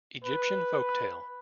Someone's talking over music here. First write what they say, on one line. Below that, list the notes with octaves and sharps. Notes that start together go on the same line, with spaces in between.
Egyptian folk tale.
B4